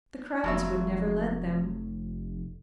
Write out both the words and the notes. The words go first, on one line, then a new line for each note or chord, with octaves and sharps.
The crowds would never let them.
F1 F2 F#3 E5